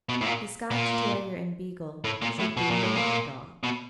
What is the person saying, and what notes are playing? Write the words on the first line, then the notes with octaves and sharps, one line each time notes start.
The Scotch Terrier and Beagle should be mink dog.
B2
A2
A#2
A#2
A2
A#2
A2
B2
A#2
A2
A#2
B2